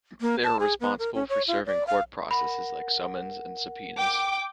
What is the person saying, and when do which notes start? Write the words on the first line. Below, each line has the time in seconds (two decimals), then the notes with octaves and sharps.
They are responsible for serving court processes like summonses and subpoenas.
0.21 A#3
0.44 A5
0.60 G#4
0.80 B3
0.99 A#4
1.14 C#4
1.29 C#5
1.48 F4
1.66 D5
1.87 F5
2.31 A#4 F#5 B5
3.98 G5 D6